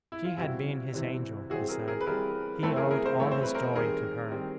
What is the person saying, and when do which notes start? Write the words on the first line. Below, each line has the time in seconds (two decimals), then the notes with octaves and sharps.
She had been his angel, he said; he owed all his joy to her.
0.12 E4
0.25 F4
0.37 C3 E3 G3 C4 E4 F#4
0.94 C3 E3 G3 C4
1.50 E3 G3 C4 F#4 G#4
1.69 G#4 A#4
1.88 G#4 A#4
2.01 B4
2.06 E3 G3 C4 G#4 A#4
2.62 E3 A3 C4 A4 B4
2.76 G#4 A#4
2.91 G#4 A#4
3.05 A#4 C5
3.19 E3 A3 C4 C#5
3.31 C5
3.43 B4
3.55 A#4 C5
3.75 D#3 G3 C4 G#4 A#4
4.32 D#3 G3 C4